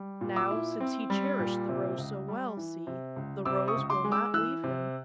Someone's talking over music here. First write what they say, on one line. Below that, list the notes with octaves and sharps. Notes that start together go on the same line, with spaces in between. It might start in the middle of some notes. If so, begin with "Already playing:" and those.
Now, since he cherished the rose so well, see, the rose will not leave him.
Already playing: G3
A#2
D6 E6
E4
C4
G3
A#2
C3
C#2
G3
E3
C3
C#2
C3 D6 E6
C#6 D#6
C#2
C6 D6
G#3
D6 E6
E3 E6 F#6
C3